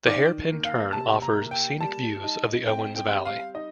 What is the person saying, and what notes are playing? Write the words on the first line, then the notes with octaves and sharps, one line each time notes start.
The hairpin turn offers scenic views of the Owens Valley.
D#3 D5
A#3
F5
C3 A5
A#5
A#3
G5
G3 A5
D#4
C4 G5
G5
G3
F5
D#4 D#5